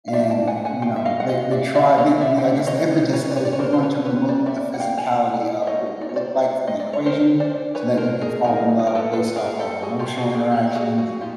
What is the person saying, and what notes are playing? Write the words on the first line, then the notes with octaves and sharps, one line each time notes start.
and, eh, you know, they they try the the I guess the impetus is, "We're going to remove the physicality of what you look like from the equation so that you can fall in love based off of emotional interactions and
F5
F#3 A#3 D#4 D5 E5
G5 A5
F#5 G#5
F#5 G#5
F5 G5
E5
D#5 F5
F#5
D#5 F5
D5 E5
D5 E5
C#5 D#5
D5 E5
G5
E5 F#5
C#5 D#5
G3 A#3 D#4
B4 C#5
D5
B4 C#5
D5
C#5
A#4 C5
C5
B4 C#5
B4 C#5
C5 D5
D5 E5
F#5
F5 G5
F#5 G#5
E5
G#3 B3 D#4 C#5 D#5
D5
C#5
C5 D5
D#5
D5
C#5
A#4 C5
C5 D5
B4 C#5
A#4 C5
G#4 A#4
D#3 G3 B3 D#4 G#4 A#4
B4
A#4
A4 B4
A4 B4
G#4 A#4
G4 A4
F#4 G#4
F4 G4
F#4 G#4
G#4 A#4
G4 A4
G4
F#4 G#4
F#4 G#4
D#4 F4 G4